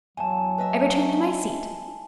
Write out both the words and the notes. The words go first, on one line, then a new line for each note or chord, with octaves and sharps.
I returned to my seat.
E2 F#3 G#5 A5
B4 D#5 E5